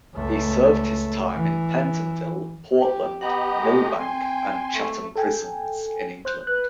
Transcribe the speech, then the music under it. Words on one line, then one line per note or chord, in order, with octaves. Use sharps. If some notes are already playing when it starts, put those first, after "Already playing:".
He served his time in Pentonville, Portland, Millbank and Chatham prisons in England.
C#2 A3
E3
G4
B3 G4 D#5 F#5 A#5 B5
G#3 A3
C4 G5 G#5 C6
A3
A4 G5 G#5
C5 F#6 G6
B4 F#6